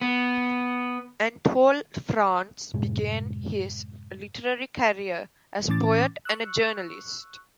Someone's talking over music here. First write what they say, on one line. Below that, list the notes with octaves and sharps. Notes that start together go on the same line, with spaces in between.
Anatole France began his literary career as a poet and a journalist.
B3
F#2 A2 C3 G#3
A2 E3 C#4 D6 A6
C#6 E6 F#6